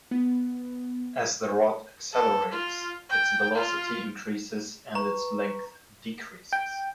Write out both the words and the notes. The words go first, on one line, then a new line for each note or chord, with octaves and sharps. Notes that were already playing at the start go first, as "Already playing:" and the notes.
As the rod accelerates its velocity increases and its length decreases.
B3
A4
F4
G5
F4
B4 A#5 C#6
G5